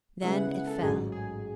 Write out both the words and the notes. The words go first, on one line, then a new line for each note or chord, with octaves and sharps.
Then it fell.
C#3 G#3 B3 E4 E5
F#5
F#5
A4
A1 G#2 F#3 G#4
G#4